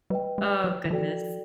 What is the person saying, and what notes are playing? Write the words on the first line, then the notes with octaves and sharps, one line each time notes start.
Oh, goodness.
G3 B4 D#5 G5
G#3
F#3
E3
F3 F#4 A4 D5 G5